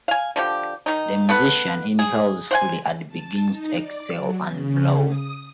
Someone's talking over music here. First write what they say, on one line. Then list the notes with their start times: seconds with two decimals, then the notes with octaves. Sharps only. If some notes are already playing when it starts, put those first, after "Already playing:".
The musician inhales fully and begins to exhale and blow.
0.08 F5 G#5
0.36 D3 F3 G4
0.86 D#3 D#4
1.29 A3 B3 B4
1.99 G#4
2.51 C5 F#5 G#5
3.08 A5
3.48 D#4
3.79 D5
4.13 F#3
4.47 C#3
5.05 D#6